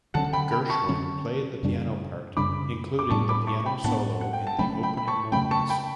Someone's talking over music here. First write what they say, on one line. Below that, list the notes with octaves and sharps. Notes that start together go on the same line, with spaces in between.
Gershwin played the piano part, including the piano solo in the opening moments.
D3 F#3 C#4 F#5 A5
G5 B5
G5 B5
A5 C#6
D3 F#3 C#4
F#2 C#3 G3 D4
F#2 C#3 G3 D4 B5 D6
D6
A2 G3 B3 D4 A5 C#6
B5 D6
A5 C#6
G5 B5
A2 G3 B3 D4 F#5 A5
F#5
G5
A5
C#3 F#3 A3 C#4 G5 B5
G5 B5
B5
A5 C#6
C#3 F#3 A3 C#4 G5 B5
A5 C#6
G5 B5